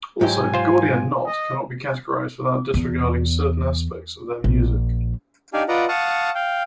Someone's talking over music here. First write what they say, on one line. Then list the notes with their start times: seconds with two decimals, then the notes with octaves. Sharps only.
Also, Gordian Knot cannot be categorized without disregarding certain aspects of their music.
0.21 G#2 F#3 G4 G#5
0.54 F4 C5
1.26 D#5
2.74 E2
4.44 A#1
5.53 D4 D#4 G4 D5 F5 G#5
5.68 F4 B4 D5 D#5 F#5 A#5
5.88 F5 F#5 A5 C#6 D#6
6.35 F5 G5